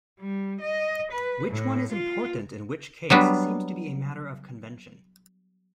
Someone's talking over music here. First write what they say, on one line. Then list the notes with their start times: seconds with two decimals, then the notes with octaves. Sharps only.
Which one is important in which case seems to be a matter of convention.
0.20 G3
0.61 D#5
1.12 B4
1.48 A2
1.92 F4
3.10 F#3 G3 B3 D4